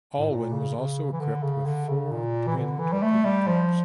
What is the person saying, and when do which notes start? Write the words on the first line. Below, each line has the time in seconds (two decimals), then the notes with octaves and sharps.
"Aylwin" was also equipped with four twin torpedo tubes.
0.18 A2
0.29 A#2
0.52 C#3
0.75 C#3
1.13 E3
1.20 D3
1.43 C#3
1.66 D3
1.89 C#3
2.11 A#2
2.47 E3
2.56 D3
2.79 E3
2.93 G3
3.02 A3
3.25 G3
3.47 F3